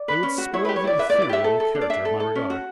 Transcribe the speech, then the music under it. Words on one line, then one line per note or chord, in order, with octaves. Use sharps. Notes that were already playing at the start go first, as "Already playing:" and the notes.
They would spoil the ethereal character of my regard.
Already playing: D5
B4
C#4
F#4
E4 C#5
G4 B4
C#5
E4 D5
B4 E5
D5
E4
D5
G4 E5
A4
A4
D4
D5
D4 E5
A4
A4
C#4
F#4